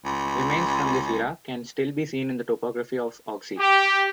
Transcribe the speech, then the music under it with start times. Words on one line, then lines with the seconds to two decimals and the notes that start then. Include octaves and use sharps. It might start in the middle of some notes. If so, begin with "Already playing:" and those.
Remains from this era can still be seen in the topography of Oxie.
0.05 C#2
3.59 G4